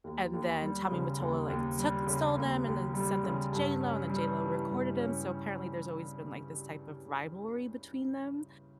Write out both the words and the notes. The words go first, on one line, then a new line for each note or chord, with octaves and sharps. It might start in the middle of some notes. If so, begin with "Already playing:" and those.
and then Tommy Mottola, like, took stole them and then sent them to JLo, and then JLo recorded them. So apparently, there's always been, like, this type of rivalry between them,
D#2
D#2
G3
C#3
D#2
D#2
G3
C#3
D#2
D#2
G3
C#3
G2
C#4
G3
E3
G2
C#4